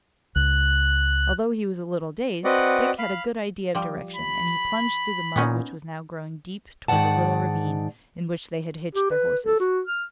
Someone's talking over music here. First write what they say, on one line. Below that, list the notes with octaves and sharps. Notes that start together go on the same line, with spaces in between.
Although he was a little dazed, Dick had a good idea of direction and he plunged through the mud which was now growing deep toward the little ravine in which they had hitched their horses.
C#2 F#6
C4 F#4 B4 D5 D#5 F#5
F5 B5
F3 G3
B5
A#2 B3 C#4 D#4
G#2 D#3 E3 D5 F#5 A5
G4
B4
A4
F#4
F6